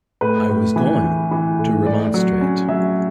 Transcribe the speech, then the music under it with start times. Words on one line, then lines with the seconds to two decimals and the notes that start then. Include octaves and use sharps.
I was going to remonstrate.
0.21 A2 B4
0.49 A2
0.76 E3
1.04 E3
1.31 E3
1.59 A2
1.86 A2 D5
2.14 F#3
2.41 C#4
2.69 F#3 E5